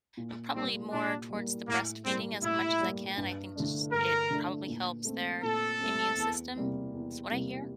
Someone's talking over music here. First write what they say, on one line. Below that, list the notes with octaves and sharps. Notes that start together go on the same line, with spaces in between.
and probably more towards the breastfeeding as much as I can. I think just it probably helps their immune system. It's what I hear.
A#2
G3 A#3 C4
A#2 D4
G3 A#3
A2 A#3
G3 A#3 C4
A2 E4
G3 A#3
G2
D3 A3 D4
G2 A#4
D3 A3 D4
A#2
A3 C4
A#2 A4
A3 C4
E2
C3 G3 A#3
E2
C3 G3 A#3